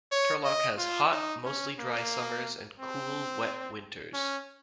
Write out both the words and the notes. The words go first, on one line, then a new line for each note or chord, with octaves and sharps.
Turlock has hot, mostly dry summers and cool, wet winters.
C#5
D#5
F4
D#4
C#4
A#3
C4
C#4